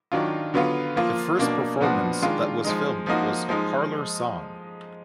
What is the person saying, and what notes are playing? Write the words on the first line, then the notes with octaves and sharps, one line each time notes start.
The first performance that was filmed was 'Parlour Song'.
D#3 F#3 D4 F4
D3 F#3 B3 F4
F3 A#3 F4
B2 A#3 D4
A#2 F3 B3 D4 F#4
D#3 G#3 D4 F4
F3 G#3 D#4
F3 A#3 D#4 F#4
F3 G#3 D#4